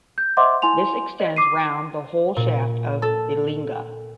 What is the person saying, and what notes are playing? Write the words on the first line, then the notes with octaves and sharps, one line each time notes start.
This extends round the whole shaft of the linga.
G6
C5 D#5 E5 F#5 C6 D6
E4 G#5 C6 F7
D#5
D6 C7 D#7
A#2
A4